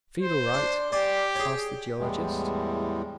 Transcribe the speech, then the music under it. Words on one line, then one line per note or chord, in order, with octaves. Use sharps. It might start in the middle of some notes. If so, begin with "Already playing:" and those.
"Feel all right?" asked the geologist.
C5
D4
G4 D5 G#5 C6
G#4 C#5
E2 A2 G3 G#3